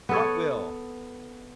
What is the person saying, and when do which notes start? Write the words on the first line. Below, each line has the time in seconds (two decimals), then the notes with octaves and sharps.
"What will?"
0.09 B3 A4 C#5